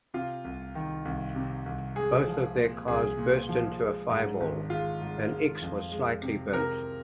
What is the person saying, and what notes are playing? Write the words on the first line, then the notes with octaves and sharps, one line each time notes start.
Both of their cars burst into a fireball, and Ickx was slightly burned.
C3 F4
C2
D#3
C2
C3
C2
G#3 G#4
F3
A#2
C2 G#4
A#2
F3
G#3
G#2
G#1
G#3 F4
G#2
G#3
F2
G#3
C3
C3 A#4